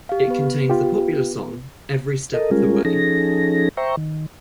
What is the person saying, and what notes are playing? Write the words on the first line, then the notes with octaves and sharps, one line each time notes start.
It contains the popular song "Every Step of the Way".
G4 F5
B3 B4
F4 G4
A4 A#4 D#5
G3 G#3 C#4 F4 G#4 A#4
F3 C#4 D#4 G#4 A4 A#6
C5 E5 G5 A#5 C#6
D#3